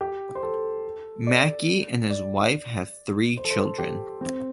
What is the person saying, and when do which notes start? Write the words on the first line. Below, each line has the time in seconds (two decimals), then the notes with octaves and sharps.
Maki and his wife have three children.
0.01 G4
0.35 C5
0.43 A4
1.27 D5
2.10 D5
3.37 C5
3.45 A4
3.50 C5
3.65 A4
3.78 G4
4.21 C4